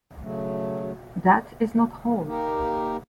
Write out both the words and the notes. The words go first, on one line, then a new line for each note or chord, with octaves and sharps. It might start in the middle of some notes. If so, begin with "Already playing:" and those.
That is not all.
C#3 F#3 A3
A#3 D#4 G4 A#4